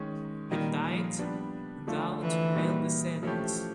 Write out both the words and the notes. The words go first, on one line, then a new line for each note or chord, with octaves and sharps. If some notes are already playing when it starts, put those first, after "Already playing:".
He died without male descendants.
Already playing: D#3 G#3 C#4
A#2 D#3 G3 A#3 D#4
F3
G3 B3 D4
D3 F3 A3 D4 F4
E3
A#2 G3 A#3 D#4 F#4
F3 A3 C#4 E4 G4